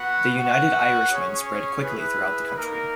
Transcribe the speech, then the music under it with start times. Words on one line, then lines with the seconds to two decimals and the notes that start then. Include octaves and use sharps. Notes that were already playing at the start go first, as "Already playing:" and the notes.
The United Irishmen spread quickly throughout the country.
Already playing: B3 F#4 B4 F#5
0.36 F#4 B4 F#5
1.08 C#4 G#4 C#5
1.82 E4 G#4 B4
2.55 A#3 D#4 A#4